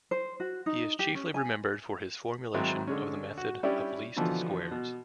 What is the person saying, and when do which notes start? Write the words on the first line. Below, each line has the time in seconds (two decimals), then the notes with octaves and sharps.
He is chiefly remembered for his formulation of the method of least squares.
0.11 C5
0.40 F#4
0.66 D#4
0.99 G4
1.15 C#4
1.34 G#5
2.54 G#2 D#3 F#3 C4 E4
2.87 D3 G#3 C#4
3.38 F#4
3.63 G3 C#4 D4 E4 G4
4.16 B2 D3 E3 F3
4.71 B2